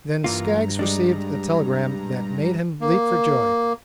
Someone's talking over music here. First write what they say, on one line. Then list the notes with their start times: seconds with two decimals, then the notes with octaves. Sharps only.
Then Skaggs received a telegram that made him leap for joy.
0.24 G2 E3 A#3 F4 A#5
0.79 G3 G#3 D4
2.81 A#3